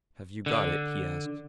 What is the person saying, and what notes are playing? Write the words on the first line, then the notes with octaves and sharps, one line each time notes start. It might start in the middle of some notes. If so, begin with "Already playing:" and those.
"Have you got it?" he asked.
D3